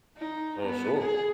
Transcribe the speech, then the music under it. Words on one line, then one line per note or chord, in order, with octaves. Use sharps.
Oh, sure.
D#4
B3
G#4